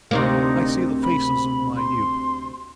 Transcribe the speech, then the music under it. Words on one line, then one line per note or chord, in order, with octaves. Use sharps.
I see the faces of my youth.
D2 C3 A#3 D#4
B5
C6